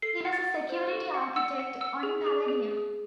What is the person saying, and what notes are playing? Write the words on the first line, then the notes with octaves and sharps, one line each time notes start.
He was a security architect on Palladium.
A4 C7
F#5
A6
F#5
C5
A4
F#5
F#5 E6
F#5
F#5 E6
G#4
G#4
G#4
G#4